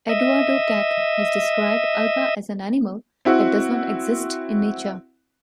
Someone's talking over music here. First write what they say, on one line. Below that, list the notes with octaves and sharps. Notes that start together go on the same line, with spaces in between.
Eduardo Kac has described Alba as an animal that does not exist in nature.
D#5 E5
C4 E4 F#4